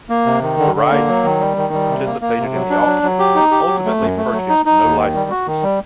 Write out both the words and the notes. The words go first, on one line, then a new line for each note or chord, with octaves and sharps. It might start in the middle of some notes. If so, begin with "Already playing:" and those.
Verizon, who participated in the auction, ultimately purchased no licenses.
A#3
C3
D#3
D3
D3
A#3
F#3
D#3
G3
D#3
G3
C3
A#3
A#3
C3
F#3
D4
F#3
F#3
G4
D#4
G4
F#3
A3
F#2
A3
F#3
D#4
D#4
D#2
D#3
G3
F#4
D#3
G3